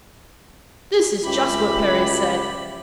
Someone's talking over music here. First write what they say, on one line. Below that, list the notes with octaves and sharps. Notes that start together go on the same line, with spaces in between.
This is just what Perry said.
C#2 G4 E5 B5